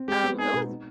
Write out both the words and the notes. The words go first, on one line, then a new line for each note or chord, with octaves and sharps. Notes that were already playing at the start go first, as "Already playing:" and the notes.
Um, it was
Already playing: C4
G#3 G4
B3
D#4 G#4
B2
D#4